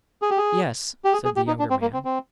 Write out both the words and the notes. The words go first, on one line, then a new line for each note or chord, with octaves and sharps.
"Yes," said the younger man.
G#4
G4
G#4
G4
G#4
G#4
G4
D#4
D4
C4
A#3
C4
C4